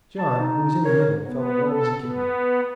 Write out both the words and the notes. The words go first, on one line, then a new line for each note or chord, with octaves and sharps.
John, who was in the middle, felt warm as a kitten.
A5
D#4
A#4 C#5
B3
A4
B3